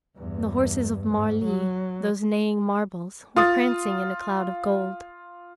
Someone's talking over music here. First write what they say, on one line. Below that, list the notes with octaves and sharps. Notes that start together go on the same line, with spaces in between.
The horses of Marly, those neighing marbles, were prancing in a cloud of gold.
E2 G2
G#2
F#3
F4 D#6 A6